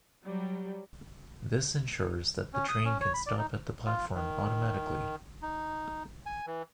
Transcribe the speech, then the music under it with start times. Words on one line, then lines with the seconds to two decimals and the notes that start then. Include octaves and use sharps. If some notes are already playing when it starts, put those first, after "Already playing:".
This ensures that the train can stop at the platform automatically.
0.24 F#3 G3
2.53 C#4
2.68 D#6
2.85 C#4
3.01 C#5
3.14 B5
3.26 D5
3.38 D#4
3.86 F4
4.15 D#3
5.42 D#4
6.26 G#5
6.46 E3